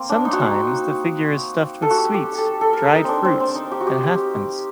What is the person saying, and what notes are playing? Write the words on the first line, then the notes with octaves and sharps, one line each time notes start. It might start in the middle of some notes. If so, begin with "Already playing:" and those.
Sometimes the figure is stuffed with sweets, dried fruits, and halfpence.
Already playing: A#3 C4
D4
D#4
F#4
D#4
A4
F#4
G4
G4
A4
A4
A#4
D#4
C4 D4
C4
C4
D#4
G4
F#4
G4
G4